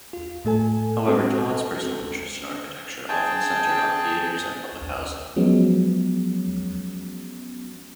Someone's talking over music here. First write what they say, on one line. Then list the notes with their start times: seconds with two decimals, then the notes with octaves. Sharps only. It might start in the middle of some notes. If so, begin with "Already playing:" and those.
However, Todd's personal interest in architecture often centered on theaters and public housing.
0.13 F4
0.45 A2 A3 A4 G#5
1.07 G#3 C4 F#4 A4
3.09 G#4 G5 A5
5.36 F3 F#3 G#3 B3 C#4